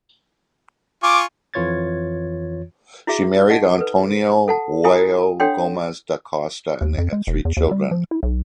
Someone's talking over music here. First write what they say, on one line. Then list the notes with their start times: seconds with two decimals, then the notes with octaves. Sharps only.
She married Antonio Joao Gomes da Costa and they had three children.
1.03 F4 G#5 C#6 D6
1.54 F2 E3 F4 C#5 G#6 A6
3.07 E4 F#4 G#4 E5
3.50 D#4 D#5 F#5
3.78 A4 B4
4.48 A4 F#5 A5
4.84 E4 F4 G4 G#5 D#6
5.40 D4 A4 C#5 F#5 G5 C6
6.81 D#2
6.98 F2
7.12 G#3
7.27 E1
7.45 E2
7.57 D#2
7.71 G3
7.91 F3
8.11 E4
8.23 B1